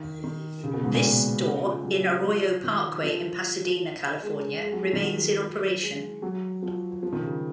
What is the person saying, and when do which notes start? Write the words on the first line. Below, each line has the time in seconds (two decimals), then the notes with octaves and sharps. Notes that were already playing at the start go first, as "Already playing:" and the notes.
This store, on Arroyo Parkway in Pasadena, California, remains in operation.
Already playing: D#3
0.24 D#3
0.64 C#3
0.74 B2
0.84 G#2
0.94 A#2
1.04 B2
1.43 C#3
1.64 F3
1.83 F#3
2.03 F#3
2.23 F3
2.64 D#3
3.03 F3
4.23 G#3
4.63 G#3
4.73 F#3
4.83 F3
4.93 D#3
5.03 F#3
5.43 F#3
5.83 G#3
6.22 F#3
6.62 F3
7.03 F3
7.13 D#3
7.22 C#3